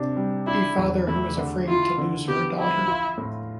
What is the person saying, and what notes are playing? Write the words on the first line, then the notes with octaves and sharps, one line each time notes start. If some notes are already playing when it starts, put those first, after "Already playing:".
A father who is afraid to lose her daughter.
Already playing: C3 D4
G3
D4 E4
E2
A3 E4
D3
E4 F4
D3
B3 G4
F3 E4
F4
A2